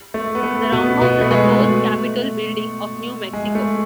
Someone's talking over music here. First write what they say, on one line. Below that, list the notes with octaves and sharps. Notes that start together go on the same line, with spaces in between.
The Roundhouse is the fourth Capitol building of New Mexico.
A3
B3
A3
B2 B3
B2 B3
A3
G#3
A3
G#3
A3